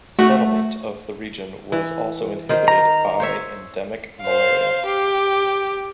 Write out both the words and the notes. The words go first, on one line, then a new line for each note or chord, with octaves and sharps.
Settlement of the region was also inhibited by endemic malaria.
A3 F#4
E3
D#3 C5
A#5
C5 C#5 E5
C5 F5
G4